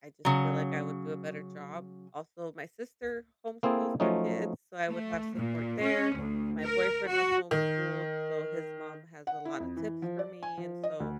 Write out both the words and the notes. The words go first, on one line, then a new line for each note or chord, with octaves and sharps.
I just feel like I would do a better job. Also, my sister homeschools her kids, so I would have support there. My boyfriend was homeschooled, so his mom has a lotta tips for me, and so
C#3 F#3
A#3 C4 E4 G#4 A4
F3 F#3 A3 C#4 D#4
A3
A#2
C#4
D2
A#4
F#4
D#3
F#5
E4
F2
E3
F3
D5
G#5
F3
D#5
D2